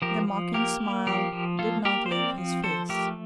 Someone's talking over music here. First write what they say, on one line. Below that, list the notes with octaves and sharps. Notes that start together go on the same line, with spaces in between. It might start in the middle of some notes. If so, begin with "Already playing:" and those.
The mocking smile did not leave his face.
F3 G4 A#4
F3
A#3 G4 A#4
A#3
F3 G4 A#4
F3
A#3 F4 A4
A#3 G4 A#4
C5
C4 A#4 D5
F3
F3 A4 C5
A3 G4 A#4